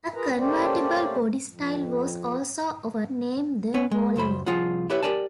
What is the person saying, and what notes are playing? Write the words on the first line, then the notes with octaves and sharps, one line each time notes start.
A convertible body style was also offered, named the Volante.
F4 G#4 A#4 B4 A#5
A3 A#3 C#4 G4 C5 D5
F2
B3 C#4 B4 C#5
G#3
C#2 F#2 C5 B5
C2 F3 F4 G#4 F#5
E4 G4 B4 C#5 E5
G4 A#4 D5 G#5 A5